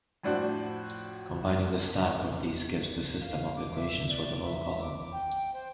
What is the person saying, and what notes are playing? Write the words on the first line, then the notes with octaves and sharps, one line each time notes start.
Combining a stack of these gives the system of equations for the whole column.
F2 A2 D4 F#4 C5 F#5
F5
D6
E5
D5
E5
D6
G5
C5